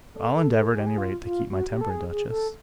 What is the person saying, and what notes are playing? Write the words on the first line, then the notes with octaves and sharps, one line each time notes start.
"I'll endeavour at any rate to keep my temper, Duchess."
A4
A4
A4
G#4
G4
G#4
F4
F4
F#4
G4
A4
G#4
G#4
A4